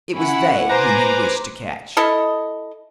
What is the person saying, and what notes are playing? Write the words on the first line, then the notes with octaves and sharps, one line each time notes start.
It was they whom he wished to catch.
C#4 E4 F#5
B4 C5 G#5 A#5 D6
E4 A4 D#5